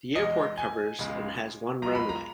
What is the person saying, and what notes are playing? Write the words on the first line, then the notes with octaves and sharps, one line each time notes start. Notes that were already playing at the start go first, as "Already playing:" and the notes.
The airport covers and has one runway.
E2 B2 G#3 D#5
G#5
C#2 C#3 G#3
B1 A#2 G#3 A#5
B5
A#5